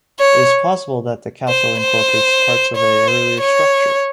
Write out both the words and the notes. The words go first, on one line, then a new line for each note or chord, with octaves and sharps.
It is possible that the castle incorporates parts of an earlier structure.
C#5
C5
C5
C#5
C5
C#5